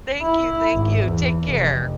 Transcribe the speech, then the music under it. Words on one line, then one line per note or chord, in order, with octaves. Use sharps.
Thank you, thank you, take care.
E4
G#1
E2
F1